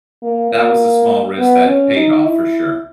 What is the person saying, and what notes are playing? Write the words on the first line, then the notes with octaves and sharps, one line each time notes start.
that was a small risk that paid off for sure.
A#3
A#3
B3
C#4
D#4
E4